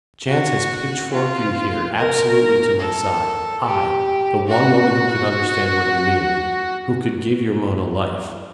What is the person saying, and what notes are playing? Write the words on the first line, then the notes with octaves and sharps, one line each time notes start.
Chance has pitchforked you here, absolutely to my side, I, the one woman who could understand what you mean, who could give your Mona life.
F#4
F4
A#4
A4
G4
F#4